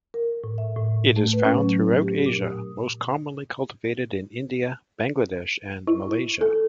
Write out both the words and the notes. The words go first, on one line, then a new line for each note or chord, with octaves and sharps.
It is found throughout Asia, most commonly cultivated in India, Bangladesh and Malaysia.
A#4
A2
E5
A2
A3
B4
C#4
F#3
G4
A#2
D#6
E4
A4